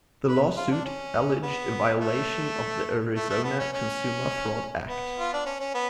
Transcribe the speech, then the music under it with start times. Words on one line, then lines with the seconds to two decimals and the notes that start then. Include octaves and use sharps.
The lawsuit alleged a violation of the Arizona Consumer Fraud Act.
0.28 B4
0.57 F4
0.71 D4
0.85 C#4
1.43 B3
2.01 A3
3.16 A3
3.30 A3
3.44 B3
3.59 C#4
3.73 C#4
4.88 B3
5.19 F4
5.33 D4
5.46 C#4
5.60 C#4
5.74 B3